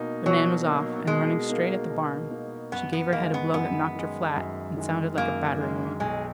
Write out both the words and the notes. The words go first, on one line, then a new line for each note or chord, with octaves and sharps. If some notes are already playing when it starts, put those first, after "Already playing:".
But Nan was off, and running straight at the barn, she gave her head a blow that knocked her flat, and sounded like a battering-ram.
Already playing: B2 A#3 D#4
B2 F#3
A#3 D#4
B2 G#3
A#3 D#4
B2
A#3 D#4
F#2 B3
B3
D#3 G#3 A#3
B3
F#2 B3
D#3 G#3
F#2
D#3 G#3
F#2 A#3
D#3 G#3
B1 G#3